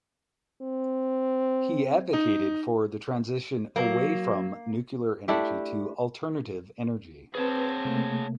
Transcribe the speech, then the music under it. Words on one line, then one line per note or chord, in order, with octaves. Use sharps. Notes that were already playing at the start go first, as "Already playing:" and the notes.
He advocated for the transition away from nuclear energy to alternative energy.
C4
D#4
F#3 A#3
A3 D4 E4 G4
C4 G#4 B4 C#5 A5
C3 A3 A#3